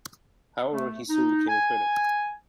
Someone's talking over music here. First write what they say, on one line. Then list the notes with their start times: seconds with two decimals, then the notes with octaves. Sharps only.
However, he soon became a critic.
0.72 A3
1.10 D#4
1.48 G#5